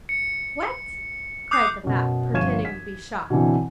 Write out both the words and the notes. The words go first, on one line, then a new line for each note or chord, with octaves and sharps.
"What!" cried the Bat, pretending to be shocked.
C#7
D6 D#6 F#6 G6 C7
F#2 B2
G1 F3 C#6 G#6 D#7 E7
B6
B2 D3 E3 C4